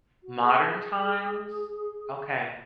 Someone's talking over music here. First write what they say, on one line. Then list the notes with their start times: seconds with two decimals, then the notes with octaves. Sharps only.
modern times? Okay.
0.23 F#4
0.42 G#4